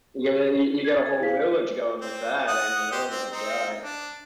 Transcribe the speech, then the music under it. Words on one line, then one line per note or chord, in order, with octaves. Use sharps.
Yeah, you you got a whole village going with that, I mean, oh my god.
G4
G#6 A6
E4 G#4 C5 F5 B6
C4
F#5 D#6
G4 C5
C4
C4 D#4
D4